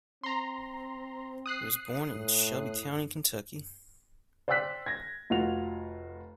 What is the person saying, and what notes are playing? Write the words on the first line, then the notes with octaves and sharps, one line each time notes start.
He was born in Shelby County, Kentucky.
C4 A#5 C6
D#6 F#6 C7
A2
C5 D5 G5 E6 F#6 B6
G#6 A#6
F1 F4 F#4 F7